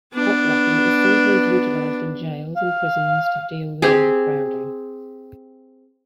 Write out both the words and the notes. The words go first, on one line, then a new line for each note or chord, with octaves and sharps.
Hot racking is sometimes utilized in jails and prisons to deal with overcrowding.
B3 D4
F5
C4 G4 G#4